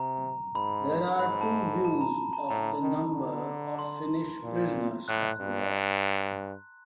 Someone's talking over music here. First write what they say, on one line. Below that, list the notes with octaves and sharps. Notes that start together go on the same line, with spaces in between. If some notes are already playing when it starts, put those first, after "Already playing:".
There are two views of the number of Finnish prisoners of war.
Already playing: C3 A#5
G#2 B5
G#2 B5
A5
A5
A#5
A5
A2 A#5
D#3
D3
C6
A#2
A2 F#6
G2